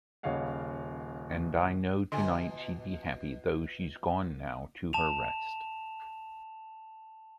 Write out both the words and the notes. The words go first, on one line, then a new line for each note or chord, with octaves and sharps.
And I know tonight she'd be happy, though she's gone now to her rest.
D#1 C#3 C#5 D#5 F5 F#5
B2 D3 F4 D#5 G#5 C6
A5 E7 F7